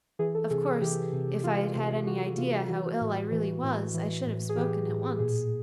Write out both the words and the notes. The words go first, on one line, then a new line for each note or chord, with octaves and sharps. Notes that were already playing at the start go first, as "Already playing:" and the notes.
'Of course, if I had had any idea how ill I really was, I should have spoken at once.'
E3 G#4
A4
C3 G#4
G#4
E3 G4
C3
E3 F4
C3
E3 F#4
C3 F4
E3 F#4
A2
E3
A2
E3
A2
G#4
E3 G4
A2
A#2 G#4